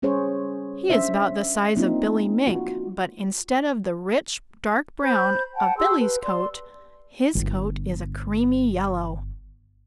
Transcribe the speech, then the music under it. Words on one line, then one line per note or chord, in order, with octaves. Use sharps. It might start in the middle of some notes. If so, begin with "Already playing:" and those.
He is about the size of Billy Mink, but instead of the rich dark brown of Billy's coat his coat is a creamy yellow.
G3 C#4 G#4 C5 C#5
C#4 D4 C5 E5
A#3 C4 D4 D#4 F4
F4 F#4
C5 B5 G6
F#5 G5 A5
G4 G#4 C6 E6
B4
D5 C6
G1 D4